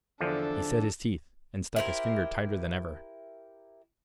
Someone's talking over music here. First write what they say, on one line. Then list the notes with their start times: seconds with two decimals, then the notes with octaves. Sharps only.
He set his teeth, and stuck his finger tighter than ever.
0.20 E2 D3 F3 D4 A4
1.76 E4 G4 A#4 C5